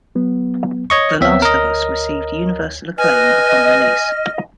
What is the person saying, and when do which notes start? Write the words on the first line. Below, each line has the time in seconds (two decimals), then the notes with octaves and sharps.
"The Last of Us" received universal acclaim upon release.
0.15 F#3 B3
0.90 C#5 D#5 C#6
1.21 D2 B3 C4 C#5 E5
1.42 A#4 D#5
2.98 B4 D#5 G#5 F6